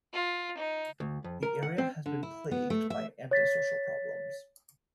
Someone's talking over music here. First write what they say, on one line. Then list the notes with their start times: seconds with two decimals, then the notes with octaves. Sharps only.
The area has been plagued by antisocial problems.
0.13 F4
0.57 D#4
1.00 D2
1.24 F2
1.43 A#4
1.63 F#5
1.78 C4
2.06 D3
2.23 E4
2.51 B3
2.70 A3
2.90 E5
3.31 C#5 A6 B6